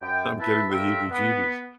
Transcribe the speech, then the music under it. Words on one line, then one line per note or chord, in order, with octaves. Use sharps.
I'm getting the heebie-jeebies.
F#2 G5
E4 B4 E5 A5
G3 F4 G4 A4 A#4 E5
B3